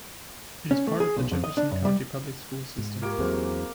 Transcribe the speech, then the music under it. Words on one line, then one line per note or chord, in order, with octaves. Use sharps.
It is part of the Jefferson County Public Schools system.
C#4
A3
G#4
B1
F2
D#5
D4
F#2
G3
G#2
A#3 F4 G4 D6
E2 E3 F#3 C4 G#4 C5